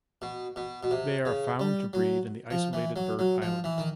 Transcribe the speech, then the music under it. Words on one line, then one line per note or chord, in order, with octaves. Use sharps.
They are found to breed in the isolated bird island.
B2
B2
B2
C3
C#3
G3
F#3
F3
E3
F#3
F#3
F3
E3
D#3